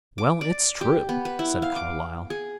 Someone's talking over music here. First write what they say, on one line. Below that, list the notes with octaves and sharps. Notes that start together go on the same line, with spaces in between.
"Well, it's true," said Carlyle.
D6
D5
G4
B3
B4
E4
F5
D6
G#4